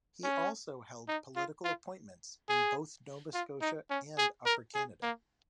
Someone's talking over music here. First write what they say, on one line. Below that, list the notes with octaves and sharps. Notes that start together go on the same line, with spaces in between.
He also held political appointments in both Nova Scotia and Upper Canada.
C#4
D#4
F4
F4
G#4
F4
D#4
C#4
G#4
A#4
G#4
A#3